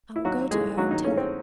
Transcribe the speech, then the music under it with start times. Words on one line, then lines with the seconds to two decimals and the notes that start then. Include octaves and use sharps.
'I will go to her, and tell her.
0.16 E4
0.25 D#2 F#3 F#4
0.51 C#3 E3 G#3 A3 G#4
0.77 D#2 F#3 F#4
0.91 D#3 D#4
1.04 C#3 E3 A3 C#4
1.17 C4